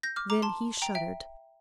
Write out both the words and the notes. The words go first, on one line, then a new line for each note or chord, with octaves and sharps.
Then he shuddered.
G6 A#6
D6 F6
A#5 D6
A5 C6
G5 A#5
E5 G5